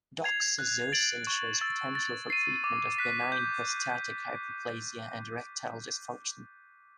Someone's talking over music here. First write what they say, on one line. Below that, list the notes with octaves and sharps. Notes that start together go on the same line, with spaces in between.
Doxazosin shows potential for treatment of benign prostatic hyperplasia and erectile dysfunction.
G#6 C7 F7
F#6
A6 D7 F#7
C#6
E6 A6
A6
C7 D#7
D6
F#6 B6
G6